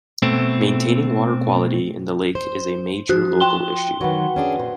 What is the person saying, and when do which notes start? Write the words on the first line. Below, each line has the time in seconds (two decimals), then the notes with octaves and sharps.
Maintaining water quality in the lake is a major local issue.
0.22 B2 A3 C4
2.35 C5
3.09 F3 F#4 F#6
3.40 G5 C6 G7
4.01 D#3 F#3 F#4 B4 F#5
4.36 C#4 D4 G#4
4.59 A#2 C5